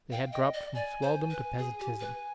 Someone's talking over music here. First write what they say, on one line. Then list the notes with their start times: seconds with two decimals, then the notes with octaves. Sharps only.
They had dropped from swelldom to peasantism.
0.12 F5 G5
0.32 D#5 G5
0.54 D5 D#5
0.74 D5 G#5
1.03 C5
1.30 B4
1.59 G#4
1.80 G4
2.00 B4